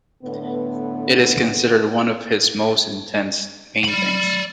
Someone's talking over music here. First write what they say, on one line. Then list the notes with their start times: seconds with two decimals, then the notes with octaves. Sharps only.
It is considered one of his most intense paintings.
0.24 A2 D3 B3
3.84 D5 B5